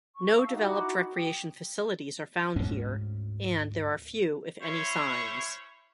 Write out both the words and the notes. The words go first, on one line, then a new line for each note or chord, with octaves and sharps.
No developed recreation facilities are found here, and there are few, if any, signs.
C#6
F5 A5 C#6 E6
D#4 E4 F#4 D6
G5 D#6
D2 G#2 G#3 C#4
C#4 E4 C5 C#5